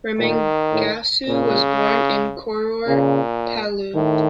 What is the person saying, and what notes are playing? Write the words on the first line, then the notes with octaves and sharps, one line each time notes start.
Remengesau was born in Koror, Palau.
A#2 D#3
A2
A#2 C#3
A#2 C#3
A2 D#3